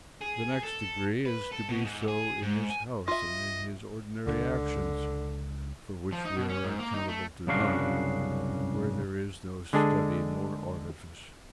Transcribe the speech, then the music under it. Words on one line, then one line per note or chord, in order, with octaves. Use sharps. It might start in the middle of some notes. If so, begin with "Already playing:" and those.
The next degree is to be so in his house, and in his ordinary actions, for which we are accountable to none, and where there is no study nor artifice.
G#4
A4
B4
A4
B2
G#2
G#4
G#2
G#5
F4 D#5 E5
C#2 D3 G3 D4
F3
D#4
B2
C#4
G#2
A#3
D#4
A3
C2 F#2 C#3 D4 F#4 F5
D3 G#3 D4 G#4 A4